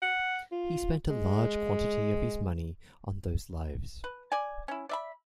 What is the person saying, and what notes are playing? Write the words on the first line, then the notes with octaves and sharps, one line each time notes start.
He spent a large quantity of his money on those lives.
F#5
F4
G#3
B4
D5 G#5
C#4 E4
D5 E5 B5